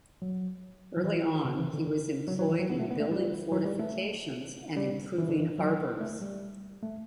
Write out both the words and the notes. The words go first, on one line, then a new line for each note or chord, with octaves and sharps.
Early on he was employed in building fortifications and improving harbors.
F#3
F#3
E3
C#3
E3
D3
D3
F#3
F#3
E3
F#3
B3
A3
B3
A3
G3
F#3
G3
A3
G3
E3
D3
E3
F#3
A3
G3
A3